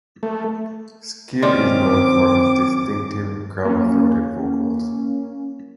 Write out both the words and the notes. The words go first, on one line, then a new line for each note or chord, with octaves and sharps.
Skid is known for his distinctive gravel-throated vocals.
A3
D#3 C4 C#4 D5 C6 D6
A#3 C#4